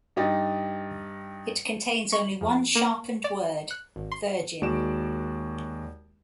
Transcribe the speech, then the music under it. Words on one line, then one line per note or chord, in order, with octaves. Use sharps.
It contains only one sharpened word - Virgin.
G2 D#4 G4 D#5 A6
C#6
F2
A#3
D5
F#6
G#1
C6
D#2 G#3 F#4 D5 D7 E7